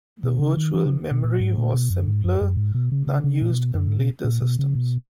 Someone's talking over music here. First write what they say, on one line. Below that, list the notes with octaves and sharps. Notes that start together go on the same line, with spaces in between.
The virtual memory was simpler than used in later systems.
B2
C#3
D#3
E3
C#3
B2
A#2
G#2
A#2
B2
F#2
G#2
F#2
F#2
G#2
B2
C#3
C#3
C#3
A#2
B2
F#2
G#2
B2
A#2
B2
C#3
B2